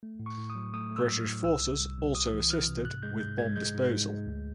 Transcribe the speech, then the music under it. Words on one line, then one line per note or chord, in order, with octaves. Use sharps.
British forces also assisted with bomb disposal.
A3
A2
C#6
A2
D#6
F#3
A3 D#6
A3
E6
F#3
F6
A2
C2 E6
C2
C2
C2
C2 D#6
E3
E3 F6
C3
G#2 F#6
G#3 G6
G#2 G6
G#3 G#6
G#3 G6
G#2
G#2
G#3
D2